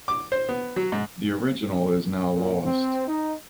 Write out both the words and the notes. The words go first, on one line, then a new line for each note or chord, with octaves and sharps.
The original is now lost.
D6
C5
B3
F#3
G#2
A#2
C4
D#4